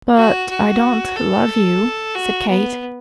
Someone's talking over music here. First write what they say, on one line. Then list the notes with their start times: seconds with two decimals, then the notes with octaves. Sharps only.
"But I don't love you," said Kate.
0.17 F#4
0.50 F#4
1.16 A4
2.15 F#4
2.49 B3